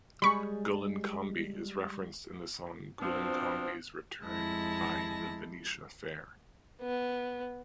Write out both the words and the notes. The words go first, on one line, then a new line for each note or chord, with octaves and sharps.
Gullinkambi is referenced in the song "Gullinkambi's Return" by The Venetia Fair.
G3 G#3 G#4 B5 C#6
B2 F3 C4 D4
F2 G#3 E4 A5 A#6
B3